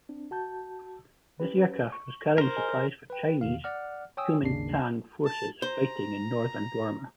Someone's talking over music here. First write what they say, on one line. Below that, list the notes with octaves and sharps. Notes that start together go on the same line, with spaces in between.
This aircraft was carrying supplies for Chinese Kuomintang forces fighting in northern Burma.
C4 D4
F#4 A5 G6
C#4 G4 B4
C#6
A#4 C5
G#4 D#5 G#5
B4 G5
E2 C3 D#3 F5
D5 F#5 F6
C#5 G5 G#5 D#6 E6
G#1 D#2 C#3 D4 C7
A5
C5 A#5